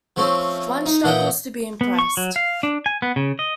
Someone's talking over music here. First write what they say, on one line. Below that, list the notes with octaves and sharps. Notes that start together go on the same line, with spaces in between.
One struggles to be impressed.
F3 A3 C4 C#4
D#4
A#2 E3 D#5 F#5 G5
B3
C#6
F#3
F5
D4
G#5
B3
C#3
D#5